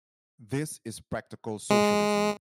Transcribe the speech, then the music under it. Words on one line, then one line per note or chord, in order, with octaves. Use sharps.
This is practical socialism.
G#3